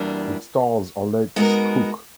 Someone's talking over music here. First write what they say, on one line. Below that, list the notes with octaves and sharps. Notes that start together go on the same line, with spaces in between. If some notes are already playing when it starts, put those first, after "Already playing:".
It stars Alex Hook.
Already playing: E2 B2 G3 A#3 D4
G#3 B3 D#4 F#4 A#4